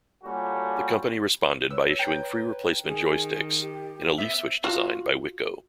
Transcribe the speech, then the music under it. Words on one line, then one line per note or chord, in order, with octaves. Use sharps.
The company responded by issuing free replacement joysticks in a leaf-switch design by Wico.
A#2 G3 C#4 F#4 G4 A4
B4 C#5 E6
B4 G5 A#5
D#3 G#4
G4
B3 C5 E5
F4 F#4